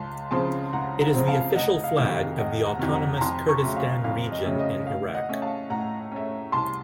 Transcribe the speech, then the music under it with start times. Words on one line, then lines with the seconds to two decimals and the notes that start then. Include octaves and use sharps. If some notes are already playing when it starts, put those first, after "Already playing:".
It is the official flag of the autonomous Kurdistan Region in Iraq.
Already playing: C#2 A5 C6
0.31 C#3 F3 C4 A5 C6
0.73 C#2 F#5 A#5
1.00 F#5 A#5
1.14 C#3 F3 C4
1.28 F5 A5
1.55 F1 D#5 F#5
1.84 F5
1.98 F2 C3 D#3
2.11 F5
2.38 F1 D#5 F#5
2.66 F#5 A#5
2.79 F2 C3 D#3
2.93 F#5 A#5
3.17 A#5
3.21 F2 A5 C6
3.48 A#5 C#6
3.63 C#3 F#3 A3 C#4
3.77 F5
4.04 F2 F5
4.32 D#5
4.45 C#3 F#3 A3 C#4
4.59 D#5
4.87 A2 F5
5.14 D#5 F#5
5.29 A3 C#4
5.42 F5 A5
5.70 A2 F#5 A#5
6.12 A3 C#4
6.52 C2 A5 C6